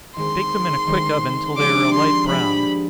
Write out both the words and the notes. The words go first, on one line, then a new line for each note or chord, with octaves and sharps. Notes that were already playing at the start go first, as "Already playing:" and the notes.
Bake them in a quick oven till they are a light brown.
D#3 G#3 C4 C6
D#3 G#3 C4
F3 G#3 D4 G4 D5 D6
C6
F3 G#3 D4 G4 D5 B5